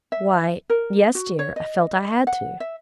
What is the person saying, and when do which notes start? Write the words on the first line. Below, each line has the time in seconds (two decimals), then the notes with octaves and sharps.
'Why--yes, dear--I felt I had to.'
0.12 E5
0.70 A#4
1.15 F#4
1.39 C#5
1.56 D#5
2.27 F#5
2.60 E5